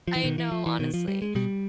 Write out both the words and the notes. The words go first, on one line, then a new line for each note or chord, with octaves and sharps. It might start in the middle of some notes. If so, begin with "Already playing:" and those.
I know, honestly,
F3
E3
B2 D#3
E3
F3
E3
B2 D#3
F3
G3
G#3
B2 G3